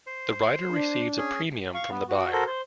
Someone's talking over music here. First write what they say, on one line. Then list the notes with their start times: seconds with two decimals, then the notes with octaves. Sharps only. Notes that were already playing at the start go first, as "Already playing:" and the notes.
The writer receives a premium from the buyer.
0.07 C5
0.70 D4
1.18 C#4 G#4
1.74 F5 C#6
1.91 B3
2.08 F#4
2.33 F#4 A4 A#4 C5
2.47 C5